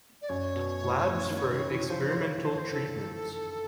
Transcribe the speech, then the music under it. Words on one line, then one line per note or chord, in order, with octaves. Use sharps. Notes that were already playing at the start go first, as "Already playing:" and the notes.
Labs for experimental treatments.
D5
F#2 C#5
B2
A2
A2
D#3
D#3
E3
F3 C5
C5
D#3 C#5
E3
D#3 C5
C#5
C5
D3 A4